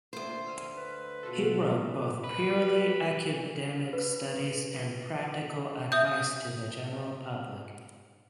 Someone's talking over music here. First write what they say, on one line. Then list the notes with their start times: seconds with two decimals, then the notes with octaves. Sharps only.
He wrote both purely academic studies and practical advice to the general public.
0.13 D2 A#2 C5
0.46 E6 F6 D#7
0.76 B4
1.23 B2 F4 F#4 A4
2.24 B4
3.93 B4
5.92 E5 D#6 G6